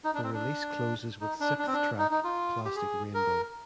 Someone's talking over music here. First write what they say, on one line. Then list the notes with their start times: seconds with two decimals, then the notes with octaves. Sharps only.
The release closes with sixth track "Plastic Rainbow".
0.04 D#4
0.14 D4
0.24 C4
0.34 D4
1.21 D#4
1.40 D4
1.59 D4
1.67 C4
1.73 D4
1.98 D#4
2.11 D#4
2.24 F4
2.65 G4
2.76 G#4
3.14 A#4